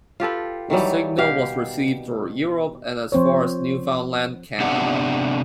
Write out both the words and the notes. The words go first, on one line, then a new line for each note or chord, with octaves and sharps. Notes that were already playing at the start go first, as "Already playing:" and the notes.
The signal was received throughout Europe and as far as Newfoundland, Canada.
F4 G4 A4 B4
D#3 E3 F#3 G3
B2 G4 F5
F3 C4 C5 C#5
C3 B3 D4 G4 E5 F#5